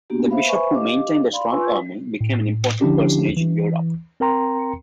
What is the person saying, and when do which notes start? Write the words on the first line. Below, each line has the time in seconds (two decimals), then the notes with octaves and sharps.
The bishop, who maintained a strong army, became an important personage in Europe.
0.10 A#3 B3 D4 F#4 G4
0.30 C5 E5 F5 B5
0.47 B4 C5 E5 G#5 B5 C#6
0.72 G4 D#5 F5 D6
1.32 D5 F5 B5 C6
1.51 F4 B4 G#5 C6 C#6 E6
2.21 A2
2.81 D3 F3 C#4 D4 E4 G4
3.37 E3
4.20 C4 A#4 G5 A#5 C6